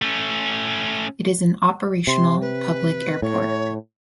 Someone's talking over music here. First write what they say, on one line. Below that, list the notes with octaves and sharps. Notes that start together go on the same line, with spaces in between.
It is an operational public airport.
A3 C#4
C3 C6
B4
A2 C#5